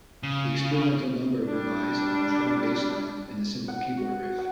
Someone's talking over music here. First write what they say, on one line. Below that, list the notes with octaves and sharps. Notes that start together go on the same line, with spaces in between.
The experimental number relies on a strong bass line and a simple keyboard riff.
C#3
G3 D4
F#5
F#4
F#5